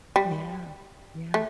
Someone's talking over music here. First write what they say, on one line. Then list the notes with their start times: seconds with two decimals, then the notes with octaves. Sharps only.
Yeah. Yeah.
0.16 G3
1.34 A3